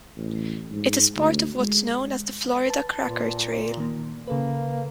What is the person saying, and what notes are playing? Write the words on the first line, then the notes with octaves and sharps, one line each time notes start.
It is part of what's known as the Florida Cracker Trail.
A1
G#2
D2
G#3
B4 A5
A#2
D#3 A#3
C#3 A#3 A4 B4